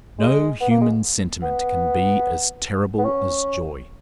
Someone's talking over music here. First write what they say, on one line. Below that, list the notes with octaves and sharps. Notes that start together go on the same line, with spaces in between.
No human sentiment can be as terrible as joy.
G#3
B3
A#3
G#3
B3
B3
C#4